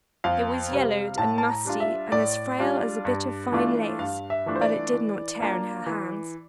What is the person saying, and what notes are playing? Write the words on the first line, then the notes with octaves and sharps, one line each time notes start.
It was yellowed and musty and as frail as a bit of fine lace, but it did not tear in her hands.
F2 F5
C3 G3 C4
A2 A5
A5
A#5
G3 D4 F4
E5
A2 D5
G3 D4 F4
G2
E3 A3 D4 F4
G2 F5
E5
E3 A3 D4 F4
C5
D5
E3
A#3 D4 F4
E3